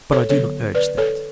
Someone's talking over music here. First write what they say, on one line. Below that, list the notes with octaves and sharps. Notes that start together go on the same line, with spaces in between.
But I do not urge that.
A4 C#5
D3 F#3 B3 A4 C#5
B4 D5
A4 C#5